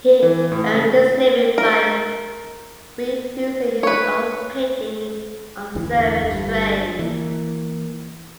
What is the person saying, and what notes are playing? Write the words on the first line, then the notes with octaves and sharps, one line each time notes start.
He earned his living by reproducing his own paintings on serving trays.
E3
A2
C#3
A#4
B4 C#5
A1 E2 D3 E3
G1 G2
E3 A#3